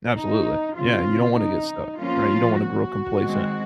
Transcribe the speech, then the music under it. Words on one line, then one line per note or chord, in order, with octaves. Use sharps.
Absolutely, yeah, and you don't wanna get stuck, right? You don't wanna grow complacent
D#4
C#3 F3 C4 F4
D#4
F3 A#3 C#4 F4
F#4
D#3 G#3 C4